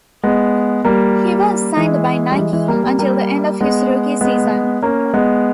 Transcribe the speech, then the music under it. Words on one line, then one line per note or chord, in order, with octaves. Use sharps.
He was signed by Nike until the end of his rookie season.
G#3 B3
G3 A#3
E3 G#3
G3
E3 G#3
E3 G#3
G3 A#3
G3 A#3
G3 A#3
G#3 B3
G#3 B3
A#3 C#4
G#3 B3